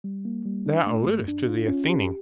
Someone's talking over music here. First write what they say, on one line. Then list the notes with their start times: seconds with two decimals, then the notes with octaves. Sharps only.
'Thou alludest to the Athenian.
0.04 G3
0.25 A#3
0.45 G3
0.66 D4
0.87 A3
1.07 G2
1.28 D4
1.48 F4
1.68 C#4
1.89 G4